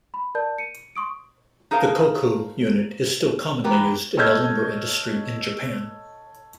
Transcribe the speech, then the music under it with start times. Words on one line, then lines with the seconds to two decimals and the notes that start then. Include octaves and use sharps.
The "koku" unit is still commonly used in the lumber industry in Japan.
0.14 B5
0.35 A#4 D5 A5 G6
0.58 C#7 D#7
0.96 C6 C#6 D#6 D7
1.71 D#4 G#4 A#4 C5 F5 A5
3.64 E3 B3 G4 A#4 B4
4.17 A4 C#5 D#5 F6 G6 G#6